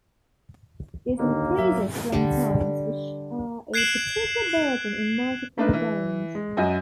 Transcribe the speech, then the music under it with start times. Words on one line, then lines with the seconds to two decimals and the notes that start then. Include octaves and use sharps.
This increases playing-times, which are a particular burden in multiplayer games.
1.19 D#2 D3 A#3
1.58 F#3 E5
2.12 D3 G3
3.74 F#6 G#6 C7 D7 E7 F#7
5.58 A3 A#3 D4 D#4 B4
5.73 E3
6.35 G#3
6.57 F#2 F#4 D#5 G#5